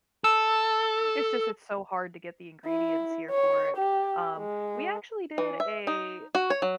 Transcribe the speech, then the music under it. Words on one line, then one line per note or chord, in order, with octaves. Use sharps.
It's just it's so hard to get the ingredients here for it. Um, we actually did a
A4 E6
E4
C#5
G4
G#3
E3
E5
D#4
F#4
C#5
F#3